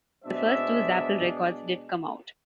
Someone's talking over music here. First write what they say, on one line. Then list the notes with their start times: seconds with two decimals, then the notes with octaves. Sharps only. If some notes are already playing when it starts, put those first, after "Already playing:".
The first two Zapple records did come out.
0.24 B2 G#3 D4 C5 E5